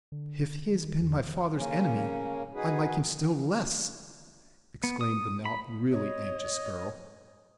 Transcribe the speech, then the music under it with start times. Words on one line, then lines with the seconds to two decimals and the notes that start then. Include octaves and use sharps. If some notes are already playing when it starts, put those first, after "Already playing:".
"If he has been my father's enemy, I like him still less!" exclaimed the now really anxious girl.
0.12 D3
0.74 D#3
1.01 E2
1.55 C#3 A#3 C#4
2.54 D#4 F#4 G#4 B4
4.84 B3
5.01 D#6
5.45 B5
5.92 C#5 D#5